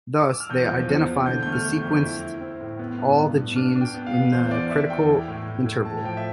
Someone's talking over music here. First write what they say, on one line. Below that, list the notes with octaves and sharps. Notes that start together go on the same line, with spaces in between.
Thus, they identified and sequenced all the genes in the critical interval.
D6
E6
F6
E2 G6
F3
E2
E2
D3 G6
A3 G6
F6
A3
G6
F2
E4
E4
C4
A2
B3
G2
G2
B3
D4 F6
D4
G5
B3
F5
B3
B4
E2 C5
E2 D5
E2 E5
E2 G5
E4
A2
A2
A2
A3 A5
F3 G5
E5